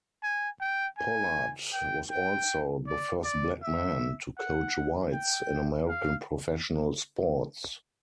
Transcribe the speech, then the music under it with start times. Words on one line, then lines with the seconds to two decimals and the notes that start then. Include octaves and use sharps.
Pollard was also the first black man to coach whites in American professional sports.
0.23 G#5
0.60 G5
0.98 G#5
1.73 G5
2.11 G5
2.87 D5
3.24 D5
3.62 E5
4.38 F#5
5.13 G5
5.89 F5